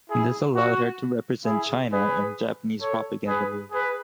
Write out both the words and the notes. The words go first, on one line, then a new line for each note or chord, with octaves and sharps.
This allowed her to represent China in Japanese propaganda movies.
E4 G#4
F#4
E4 G#4
G#4 B4
A4 C#5
G#4 B4
G#4 B4